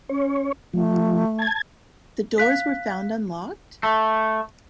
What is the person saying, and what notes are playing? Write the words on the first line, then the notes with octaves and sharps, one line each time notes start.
The doors were found unlocked?
C#4 C#5
F3 A3
A5 G#6
F5 F#6 B6
A3